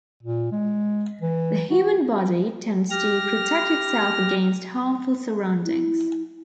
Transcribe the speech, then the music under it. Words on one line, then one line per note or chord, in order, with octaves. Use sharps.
The human body tends to protect itself against harmful surroundings.
A#2
G#3
E3
F#4
G4 F6 A#6
E4